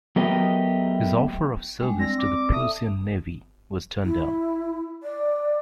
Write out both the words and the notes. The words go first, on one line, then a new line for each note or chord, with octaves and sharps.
His offer of service to the Prussian Navy was turned down.
F#3 A3 B3 G4 A#4 D#5
G3 G#3 D4
C4 D5 E6 A#6
D6
A4 E5 A5 D#6
E4
D5